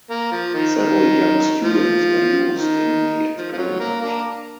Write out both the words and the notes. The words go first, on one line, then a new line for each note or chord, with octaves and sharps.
Several young students were used in the experiment.
A#3
F3
D#3
D#3
F3
D#3
F3
F3
F#3
A#3
A#3 D4